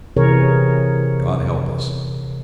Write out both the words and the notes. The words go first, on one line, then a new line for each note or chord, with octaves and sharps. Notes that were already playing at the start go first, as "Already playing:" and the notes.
God help us!
C3 E3 G#4 A#4 C#5